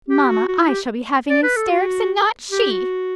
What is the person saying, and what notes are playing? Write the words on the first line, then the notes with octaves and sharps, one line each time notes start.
"Mamma, I shall be having hysterics, and not she!"
G4
F#4
F#4
E4
G4
D5
B4
A4
F#4
G4
F#4